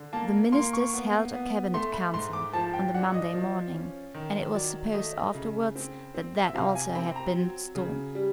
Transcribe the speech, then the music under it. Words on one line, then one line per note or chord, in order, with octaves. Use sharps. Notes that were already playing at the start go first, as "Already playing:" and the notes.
The Ministers held a Cabinet Council on the Monday morning, and it was supposed afterwards that that also had been stormy.
Already playing: D3
A#3 A5
A#3 C6
C#6
B3
B3
A3 C6
B5
G#2 C6
D6
F3 A5
G5
D4 F#5
D#5
F3
C#4
D#3
F#3 D5
A3 D#5
C#3
C4
C4
E5
C3 F5
G#5
C4 B5
A#5
F#3
C#3
G3